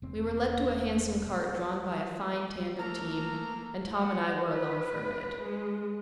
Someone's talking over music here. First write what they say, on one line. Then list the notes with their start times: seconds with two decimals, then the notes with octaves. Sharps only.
We were led to a handsome cart drawn by a fine tandem team, and Tom and I were alone for a minute.
0.02 E1 C4
2.79 A3 A#3 A#5 F6
3.96 F#5
4.48 B4
5.41 G#3